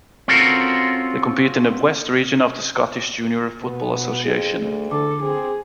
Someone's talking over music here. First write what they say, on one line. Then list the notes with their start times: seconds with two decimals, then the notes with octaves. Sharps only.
They compete in the West Region of the Scottish Junior Football Association.
0.28 C4 C#4 F4 F#4 A4 A#4
3.62 B2 B3
4.25 F2 G#4
4.59 D2 A3
4.91 D3 A4 D6
5.23 C4 G#4